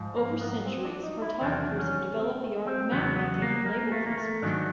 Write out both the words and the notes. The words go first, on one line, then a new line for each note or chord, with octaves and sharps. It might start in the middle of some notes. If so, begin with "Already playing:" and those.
Over centuries, cartographers have developed the art of mapmaking and label placement.
Already playing: G#2 F3
A#3
B3
C4
D4
D#4
E4
E2 C3 D#3 F#3 D4
C#4
C4
C4
E2 C#3 F#3 B3
B3
A#3
A#3
A3
A#3
A3
G#2 D#3 F#3 D4